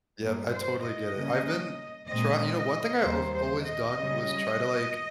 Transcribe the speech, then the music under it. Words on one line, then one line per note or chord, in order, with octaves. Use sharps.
Yeah. I totally get it. I've been try you know, one thing I I've always done was try to, like,
G2 G3 A#3
C5
D#5
C#3 G3 A#3 C#4
A#2 G#3 C4 D#5
D#5
D#2 D#3 G3 A#3 C5
C5
D#5
C#3 G3 C#4